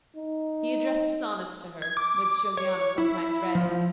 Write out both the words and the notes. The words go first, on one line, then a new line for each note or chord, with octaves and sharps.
He addressed sonnets to her, which Josiana sometimes read.
D#4
G#6
D6
C#5
E4
F3